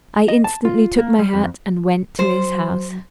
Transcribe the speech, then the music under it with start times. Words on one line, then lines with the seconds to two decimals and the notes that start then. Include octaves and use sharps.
I instantly took my hat and went to his house.
0.28 D#5
0.44 A5
0.65 F4
0.98 A#3
1.19 G3
1.33 F2
2.19 F#3 C5